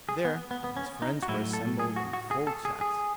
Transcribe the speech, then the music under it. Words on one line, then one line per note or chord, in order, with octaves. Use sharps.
There his friends were assembled in full chat.
G#4
B3
B3
B3
C#4
D#4
F#4
A2 F#3 E4
A4
G#4
F#4
F#4
G#4
A4
G#4
G#4